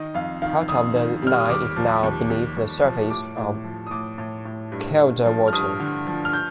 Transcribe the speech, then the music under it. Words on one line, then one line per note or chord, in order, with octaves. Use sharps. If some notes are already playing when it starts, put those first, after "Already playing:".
Part of the line is now beneath the surface of Kielder Water.
Already playing: D#3 D#5
F2 F5
D#3 F5
F2 D#6
D#3
G3 F6
D#6
D#2 D6
F3
D#2
D#2
D#2
F3
A2 D6
A2
F3
D#6
A2 D6
A2
A2
G2
G2
F3
F6
G2 D#6
D3
F3
F6
G6